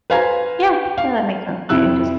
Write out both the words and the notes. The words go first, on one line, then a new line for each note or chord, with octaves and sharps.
Yeah. No, that makes sense maybe just
B4 C5 F5 G#5 A#5 G#6
F5
F2 C3 E4 E6 F#6